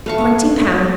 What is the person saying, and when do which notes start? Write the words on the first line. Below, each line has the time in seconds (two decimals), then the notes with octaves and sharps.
Twenty pounds!
0.06 A3 B4 F5 C#6
0.18 B3